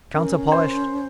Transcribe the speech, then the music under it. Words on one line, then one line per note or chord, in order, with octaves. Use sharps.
Counter polished.
C#4 A#4
C5